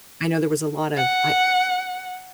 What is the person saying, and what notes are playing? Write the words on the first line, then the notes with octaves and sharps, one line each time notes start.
I know there was a lot of I
F#5